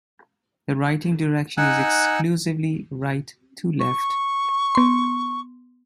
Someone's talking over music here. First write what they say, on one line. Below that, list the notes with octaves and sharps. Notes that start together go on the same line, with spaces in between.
The writing direction is exclusively right-to-left.
D#4 F#5 G#5 E6 F#6
C#6
B3 C6